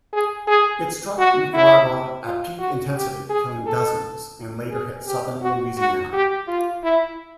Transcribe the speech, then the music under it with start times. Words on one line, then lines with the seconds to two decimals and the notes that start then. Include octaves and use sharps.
It struck Nicaragua at peak intensity, killing dozens, and later hit southern Louisiana.
0.13 G#4
0.48 G#4
1.19 F#4
1.54 E4
2.24 F4
2.59 F#4
2.95 G4
3.30 G#4
3.66 A4
4.71 G#4
5.06 G4
5.42 F#4
5.78 F#4
6.13 G4
6.48 F4
6.83 E4